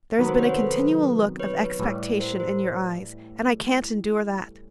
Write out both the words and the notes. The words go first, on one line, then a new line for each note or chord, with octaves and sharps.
There has been a continual look of expectation in your eyes, and I can't endure that.
C3 D#3 F#3 B3
A#4 C5
B4 C#5
A#4 C5
A4 B4
B4 C#5
A2 E3 G3
A#4 C5
A#4 C5